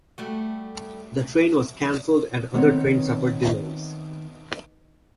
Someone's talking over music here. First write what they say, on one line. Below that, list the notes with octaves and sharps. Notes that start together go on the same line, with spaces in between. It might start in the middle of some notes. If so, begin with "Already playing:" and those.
The train was cancelled and other trains suffered delays.
G3 A3 F#4
D#3 B3 C4 C#5